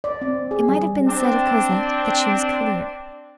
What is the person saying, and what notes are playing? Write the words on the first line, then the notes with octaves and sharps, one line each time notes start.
It might have been said of Cosette that she was clear.
D5
C4
G#4
G3
C4 D4